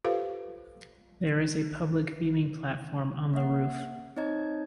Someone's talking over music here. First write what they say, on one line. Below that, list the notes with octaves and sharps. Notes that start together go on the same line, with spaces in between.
There is a public viewing platform on the roof.
F4 G4 A4 B4 C5 F5
A#3 E5 F#5
C4 D#4 C#5 D#5 A#5 G#6